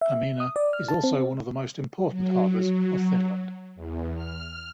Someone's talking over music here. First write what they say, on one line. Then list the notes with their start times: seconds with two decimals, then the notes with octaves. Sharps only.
Hamina is also one of the most important harbors of Finland.
0.01 E5
0.40 D#6
0.56 D5
0.73 F6
0.88 A5
1.04 C4
2.09 F#3
3.75 E2
4.14 F6